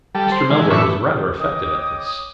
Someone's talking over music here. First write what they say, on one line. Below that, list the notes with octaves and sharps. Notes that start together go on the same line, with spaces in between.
Mr. Melbury was rather affected at this.
G3 A4
C5
E3 G#3
A2 E3 D4 B4 E5 C#6
C#5 D#5 G5 D6 D#6